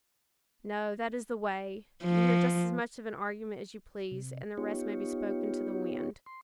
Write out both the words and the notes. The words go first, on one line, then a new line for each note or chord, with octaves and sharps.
'No; that is the way: you hear just as much of an argument as you please; and the rest may be spoken to the wind.'
F3
C3
B3 D#4 F4 G4 C#5
C6